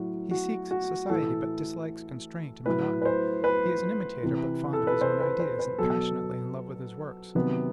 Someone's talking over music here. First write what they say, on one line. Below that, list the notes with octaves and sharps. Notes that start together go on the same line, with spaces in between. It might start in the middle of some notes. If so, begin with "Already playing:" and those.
He seeks society, but dislikes constraint and monotony; he is an imitator, but fond of his own ideas, and passionately in love with his works.
Already playing: A2 F#3 F#4
F#4
F#4
A2 E3 A4
A2 F#3 B4
B4
C5
B4
C3 E3
A4
B4
C5
B4
C5
B4
B2 F#3 A4
C3 D#3 F#3 B3